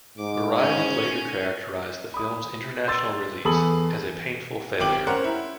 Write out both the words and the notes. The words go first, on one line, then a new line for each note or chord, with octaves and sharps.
"Variety" later characterized the film's international release as "a painful failure".
G#2 D6
C#4 G#5
B5 D#6
C6 E6 A6
E2 G#4 A4 B5 D#6 F#7
G#1 G4 G5 D6 F#7
C#4 A#4 C5 F#5
E4